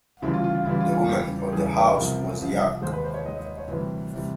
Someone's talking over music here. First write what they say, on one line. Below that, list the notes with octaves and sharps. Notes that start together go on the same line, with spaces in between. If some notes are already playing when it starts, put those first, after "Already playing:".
The woman of the house was young.
D2 C#3 E3 G3 E4
F4
F4
F4
D2 C#3 E3 G3 E4
F4
F4
E2 C#3 E3 G3 G4
G4
E2 C#3 E3 G3 G#4
B4
A#4
C2 C3 F3
C2 C3 F3
D#2 D#3 G#3 C5
B4
C5
C#5
D#2 D#3 G#3 D#5
D#5
C#5
C#5
D2 C3 E3 G3 B4
C3 E3 G3